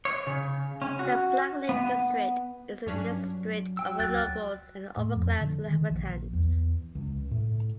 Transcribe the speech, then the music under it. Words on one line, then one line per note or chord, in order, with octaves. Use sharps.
The Blacklake District is the district of the nobles and upper-class inhabitants.
C#5
C#3
C#4
F#4
B3
G2 F#3 C#4 D4
F#3 G5 E6
D2 F#6 A6
A2
F2
D3
D#3
A#1
E2
C#2
A2